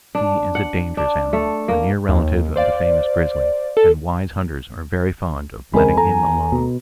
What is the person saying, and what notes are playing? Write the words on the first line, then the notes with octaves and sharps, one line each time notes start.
He is a dangerous animal, a near relative of the famous grizzly, and wise hunters are very fond of letting him alone.
D4
F#5
D4
A3
A#3
D#2
C5 D5 F5
A4
C#2 G#3 C4 A#4 G#5 B5
E2 A4 A#5
B2